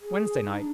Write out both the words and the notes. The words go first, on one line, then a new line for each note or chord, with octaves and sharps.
Wednesday night?
G#4
D#4
D4